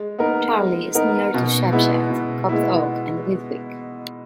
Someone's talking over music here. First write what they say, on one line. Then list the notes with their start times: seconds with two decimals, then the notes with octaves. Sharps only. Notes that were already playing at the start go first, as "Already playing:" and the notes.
Charley is near to Shepshed, Copt Oak and Whitwick.
Already playing: G#3
0.18 B3 D#4 A#4
0.57 G#3
0.95 B3 D#4 A#4
1.34 B2
1.72 G#3 B3 E4
2.10 B2
2.49 G#3 B3 E4